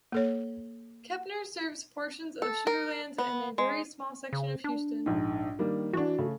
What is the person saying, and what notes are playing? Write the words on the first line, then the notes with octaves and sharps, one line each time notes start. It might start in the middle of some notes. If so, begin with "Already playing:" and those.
Kempner serves portions of Sugar Land and a very small section of Houston.
A#3 A4 C#5
A4
A#4
B3
G#3
C#3
D4
A#1 G#2
D#3 G3 A#3
E3 D4 F#4
C#3 A3